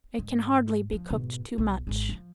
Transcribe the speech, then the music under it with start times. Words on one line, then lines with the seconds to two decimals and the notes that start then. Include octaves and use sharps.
It can hardly be cooked too much.
0.18 G#2
0.93 F3
1.10 G#2 B2
1.58 B1
1.87 G#1 G#3
2.09 F3